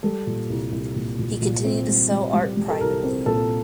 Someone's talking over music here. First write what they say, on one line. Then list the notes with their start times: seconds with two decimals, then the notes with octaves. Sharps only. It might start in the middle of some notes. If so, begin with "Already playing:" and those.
He continued to sell art privately.
0.03 G3 A4
0.27 A#2
0.50 C2
0.72 C2
0.96 A#2
1.19 A#2
1.42 A#2
1.65 C4
1.88 G3
2.11 G3
2.33 G3
2.57 G3
2.68 A4
2.81 C2 A#4
3.04 C4
3.26 A#2 A4